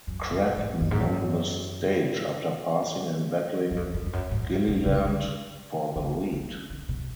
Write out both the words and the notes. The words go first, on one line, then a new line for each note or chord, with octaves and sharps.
Crafton won the stage after passing and battling Gilliland for the lead.
F#2
F#2
G#2
F#2
G#2
F#2
F#2
F2
F2
F2
F#2
G#2
B2
C#3
D3
D3
F3
D3
B2